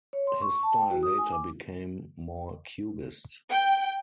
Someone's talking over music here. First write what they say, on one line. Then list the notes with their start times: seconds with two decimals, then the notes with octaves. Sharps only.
His style later became more Cubist.
0.13 C#5
0.27 C6
0.42 C#6
0.63 A5
0.76 G5
0.90 F#4
1.03 D#6
1.18 G#5
1.32 D6
3.51 G5